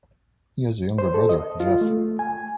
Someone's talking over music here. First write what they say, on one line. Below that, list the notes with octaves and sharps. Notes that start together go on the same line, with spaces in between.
He has a younger brother, Jeff.
C5
A4
D#5
F4
A3
G#5